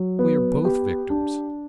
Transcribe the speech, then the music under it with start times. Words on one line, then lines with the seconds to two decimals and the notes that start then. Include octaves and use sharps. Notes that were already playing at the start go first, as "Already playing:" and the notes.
We are both victims.
Already playing: F#3
0.19 B3
0.65 G4
1.10 D4